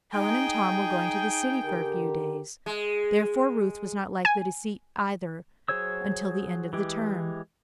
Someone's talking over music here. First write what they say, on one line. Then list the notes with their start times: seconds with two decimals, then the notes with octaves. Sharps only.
Helen and Tom were going to the city for a few days, therefore Ruth was not likely to see either until the end of the term.
0.14 D#4 G#4 G5
1.64 D3 G4 A#4
2.66 G#3
4.25 G#5
5.68 F#3 G#4 C5 C#5 E6
6.73 E3 G#3 G4